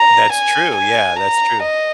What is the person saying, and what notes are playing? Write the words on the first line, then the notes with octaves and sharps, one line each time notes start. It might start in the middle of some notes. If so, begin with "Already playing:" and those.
That's true, yeah, that's true.
Already playing: A#5
G#5
G#5
A#5
D#5